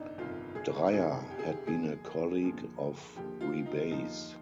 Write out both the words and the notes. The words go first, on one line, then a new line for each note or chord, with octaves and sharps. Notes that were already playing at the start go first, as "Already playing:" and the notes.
Dreier had been a colleague of Rebay's.
Already playing: G1 F2 C3 D4 D#4
G1 F2 C3 D#3 F4
G#4
G1 F2 C3 D#3 G#4
G4
G#4
G4
D#2 D3 F3 G#4
D#2 D3 F3
D#2 D3 F3 G4
F4
D#4
D#2 D3 F3 D#4